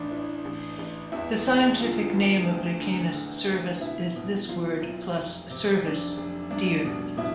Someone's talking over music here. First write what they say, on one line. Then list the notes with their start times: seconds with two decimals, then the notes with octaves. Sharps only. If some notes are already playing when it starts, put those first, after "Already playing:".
The scientific name of "Lucanus cervus" is this word, plus "cervus", deer.
Already playing: A1 D4
0.11 E3
0.45 A1
0.79 A1
1.12 E2 E4
1.46 E1
1.80 D3 F4
2.14 E2
2.47 D2
2.80 D3
3.14 D3
3.49 D2
3.81 B2 E4
4.16 B2
4.48 B1 F4
4.82 B1
5.17 F1
5.50 C3
5.84 F1 D4
6.18 F1
6.51 C2 D4
6.85 B2
7.17 B2 E4